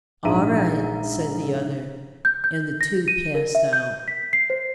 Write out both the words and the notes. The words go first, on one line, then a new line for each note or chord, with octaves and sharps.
"All right," said the other, and the two passed out.
A#1 G#2 E4 E5 A#5 D#7
G6
G6
A#6
D#7
A#4
E5
G6
B6
C7
C5